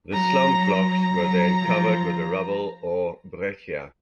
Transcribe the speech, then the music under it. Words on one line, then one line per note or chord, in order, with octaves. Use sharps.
The slump blocks were then covered with the rubble or "breccia".
F#3 A#5
A#5
F#3
F3